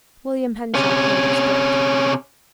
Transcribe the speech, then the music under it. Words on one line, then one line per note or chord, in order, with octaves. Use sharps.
William Henshaw cleared his throat.
C3 C#4